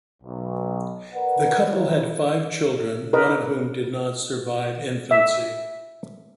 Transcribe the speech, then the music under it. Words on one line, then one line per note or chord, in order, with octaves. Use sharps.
The couple had five children, one of whom did not survive infancy.
B1
A#4 B4 D5 F#5
D#3 F3 G3 E4 F4 C#5
A#4 B4 D#5
E5